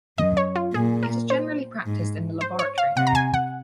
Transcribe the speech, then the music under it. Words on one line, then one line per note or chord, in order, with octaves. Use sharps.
It is generally practised in the laboratory.
F#2 D#5
C#5
F4
A#2 G#4
A#4
C5
G#2
C5
C#5
F5
C3 F#5
A#5
G#5
F#5